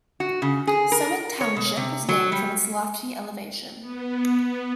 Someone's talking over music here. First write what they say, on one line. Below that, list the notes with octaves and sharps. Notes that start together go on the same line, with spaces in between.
Summit Township was named from its lofty elevation.
F#4
C#3
G#4
A#4
C#5
B2
C3
F#3
G3
B3